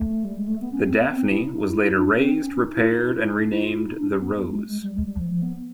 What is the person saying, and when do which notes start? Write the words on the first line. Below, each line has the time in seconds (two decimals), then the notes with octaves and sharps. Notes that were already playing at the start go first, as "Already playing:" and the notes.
The "Daphne" was later raised, repaired, and renamed the "Rose".
Already playing: A3
0.25 G3
0.37 G#3
0.48 A3
0.61 B3
0.72 C#4
0.85 C4
0.96 B3
1.12 C4
1.29 E4
1.45 D#4
1.56 D#4
1.69 E4
1.81 E4
1.93 D4
2.17 C4
2.41 C#4
2.57 D#4
2.74 E4
2.89 D#4
3.08 F4
3.14 E4
3.37 D#4
3.50 E4
3.62 F4
3.73 E4
3.86 D#4
3.98 D4
4.10 C#4
4.21 B3
4.50 G#3
4.66 G#3
4.83 G3
4.95 G#3
5.06 G3
5.18 F3
5.31 F3
5.42 B3